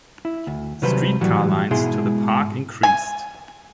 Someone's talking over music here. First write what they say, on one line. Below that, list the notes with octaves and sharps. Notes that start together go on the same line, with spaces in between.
Street car lines to the park increased.
E4
D2
C3 D#3 F#3 G3 B4 C5
A2 E3 F#3 G3
G#2 B2 G#3 E4 G#4 C6
G#5